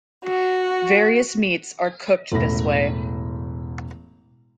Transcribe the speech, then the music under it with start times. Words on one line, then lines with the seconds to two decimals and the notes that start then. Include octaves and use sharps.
Various meats are cooked this way.
0.24 F#4
2.32 E1 A1 E4 A4 B5 A#6